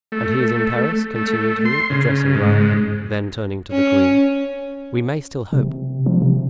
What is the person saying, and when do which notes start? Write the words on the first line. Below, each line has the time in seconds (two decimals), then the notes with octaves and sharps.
And he is in Paris?" continued he, addressing Raoul; then turning to the queen: "We may still hope.
0.12 A3
1.16 A3
1.65 C6
1.90 C#3
2.35 G#2
3.71 C#4
5.53 C3
6.06 F3
6.22 C3